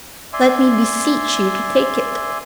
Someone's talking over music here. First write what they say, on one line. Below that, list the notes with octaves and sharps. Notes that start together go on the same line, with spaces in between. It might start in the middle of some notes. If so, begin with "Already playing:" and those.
"Let me beseech you to take it."
D5 E5 G#5 C6